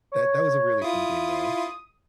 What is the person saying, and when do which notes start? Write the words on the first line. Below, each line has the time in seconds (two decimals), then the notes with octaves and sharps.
that that was a really fun game, though.
0.12 C#5
0.82 E4 F4 D#6